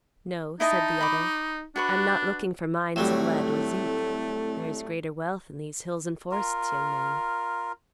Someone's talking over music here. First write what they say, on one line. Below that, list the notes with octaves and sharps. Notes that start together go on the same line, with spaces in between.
"No," said the other, "I am not looking for mines of lead or zinc; there is greater wealth in these hills and forests, young man."
D#4 E4 D#5 A5
B5 D6
D4 F#4 B4 C#6
A2 F#3 G3 A3 C4 E4 A4
F4 A#4